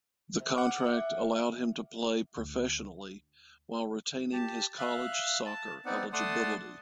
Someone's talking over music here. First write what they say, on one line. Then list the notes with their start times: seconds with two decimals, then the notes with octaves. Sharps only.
The contract allowed him to play professionally while retaining his college soccer eligibility.
0.40 C3
0.54 F#5 D6 F6
0.80 D5 E5
2.38 D2
4.33 G4 A5
4.79 E5 F5 F#6
5.46 A5
5.85 B3 C4 D#4 D5 F#5
6.13 A3 D5 F#5 A5 C6 D#6